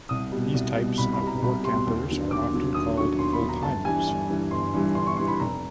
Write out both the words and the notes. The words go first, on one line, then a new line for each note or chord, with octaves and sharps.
These types of Workampers are often called Fulltimers.
C2 D#6
B2 G3
C2
B2 G3
C2 B5
B5
B2 G3
A#5
C2 B5
B2 G3 C6
D#2
D3 F#3
D#2 D6
D3 F#3
D#2 D#6
D3 F#3 C#6
D#2 C6
B5
D3 F#3
A#5
G1 A5
G2 E3 G3 G#5
G1
G2 E3 G3
G1 C6
G2 E3 G3
G1 C6
C#6
G2 E3 G3 C6
B5
F1 A#5